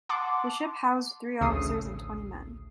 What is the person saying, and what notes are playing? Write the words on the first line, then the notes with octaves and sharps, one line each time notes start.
The ship housed three officers and twenty men.
F#5 A5 C6 D6
A1 D2 C#3 A3 D#6 C7